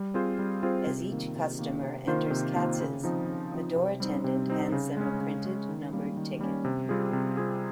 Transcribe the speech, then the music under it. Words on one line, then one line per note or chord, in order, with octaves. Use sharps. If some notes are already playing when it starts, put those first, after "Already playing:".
As each customer enters Katz's, a door attendant hands them a printed, numbered ticket.
Already playing: G3
C4 F4 G#4 C5
G3
C4 F4 G#4 C5
C3
D#3 A#3
C3
D#3 A#3
C3
D#3 A#3 F4 C5
C3
D#3 A#3 F4 C5
C#3
F3 C4 D#4
C#3
F3 C4 D#4
C3
G3 C4 D#4
C3
G3 C4 D#4
C#3
G#3 C#4
C#3
G#3 C#4
D#3
G3 A#3 C#4
D#3
G3 A#3 C#4
C3
G3 C4 F4 G#4
C3
G3 C4 F4 G#4